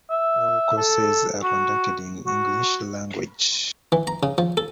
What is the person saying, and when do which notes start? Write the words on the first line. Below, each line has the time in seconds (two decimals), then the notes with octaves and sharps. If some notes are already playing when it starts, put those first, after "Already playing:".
All courses are conducted in English Language.
0.10 E5
0.77 A4
1.44 F#4
2.27 F#4
3.92 E3
4.07 A#5
4.23 C#3
4.38 F3
4.57 A4